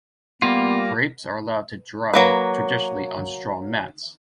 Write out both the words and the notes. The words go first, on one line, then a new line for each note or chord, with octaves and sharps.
Grapes are allowed to dry, traditionally on straw mats.
G3 A#3 B3 F4
F#3 A#3 B4